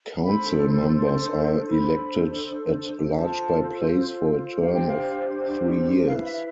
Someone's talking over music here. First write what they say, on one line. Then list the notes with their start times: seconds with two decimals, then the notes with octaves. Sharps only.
Council members are elected at-large-by-place for a term of three years.
0.24 D4 A4 C5 B5
0.97 C6
1.70 D4 A4 C5 B5
3.15 F4 A4 C5 A5
4.60 D4 G4 C5 F5
4.74 G5
4.88 F5
6.06 E4 B4 F5
6.24 E5